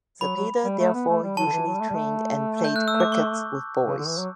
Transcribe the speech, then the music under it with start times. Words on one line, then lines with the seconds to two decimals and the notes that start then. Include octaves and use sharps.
Zepeda therefore usually trained and played cricket with boys.
0.21 F#3 B5
0.36 F#3
0.64 G3
0.79 A3
0.94 B3
1.09 A3
1.23 G3
1.37 F#3 A5
1.46 D3
1.52 E3
1.67 F#3
1.74 G3
1.80 A3
1.89 G3
1.95 A3
2.65 G6
2.76 F#6
2.88 E6
3.00 D6
3.12 C#6
3.87 C#3
3.98 D3
4.07 E3
4.18 F#3